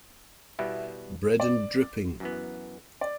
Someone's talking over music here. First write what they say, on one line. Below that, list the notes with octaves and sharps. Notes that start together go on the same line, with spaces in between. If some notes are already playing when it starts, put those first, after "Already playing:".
Bread and dripping.
B2 G3 B3 E4 E5
D5
F#2 E3 B3
D5